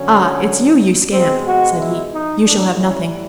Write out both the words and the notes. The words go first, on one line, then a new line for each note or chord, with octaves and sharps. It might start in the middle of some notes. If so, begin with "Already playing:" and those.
"Ah! it's you, you scamp?" said he; "you shall have nothing."
Already playing: D3 F#3 C#4
B2 G#3 C4
F#4
E4
D#4
A2 E3 G3 D4
C#4